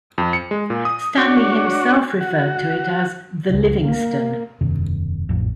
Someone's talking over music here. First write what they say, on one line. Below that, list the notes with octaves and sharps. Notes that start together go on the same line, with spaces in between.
Stanley himself referred to it as the Livingstone.
F2
C#7
G#3
A#2
D#6
D4 F#4 C#5
F#4
C#2
A#3
E1 F#2 C3 D#3
A1 F2